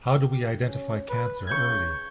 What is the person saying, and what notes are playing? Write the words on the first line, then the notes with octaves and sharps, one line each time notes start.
How do we identify cancer early?
G4
C#4
B4
C#3 C#6 G6 G#6